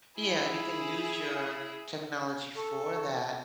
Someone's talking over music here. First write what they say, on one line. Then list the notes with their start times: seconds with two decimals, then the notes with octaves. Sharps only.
Yeah, you can use your technology for that
0.18 E4 G#4
2.55 A4 C#6